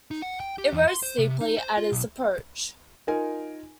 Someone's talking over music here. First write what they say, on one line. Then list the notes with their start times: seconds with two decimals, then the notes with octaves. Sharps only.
It rose steeply at his approach.
0.11 D#4
0.22 F#5
0.40 G5
0.58 G4
0.73 E2
0.88 C6
1.03 C5
1.18 C3
1.41 D#4
1.57 C5
1.77 F4
1.92 B1
3.07 D#4 F4 A#4 G#5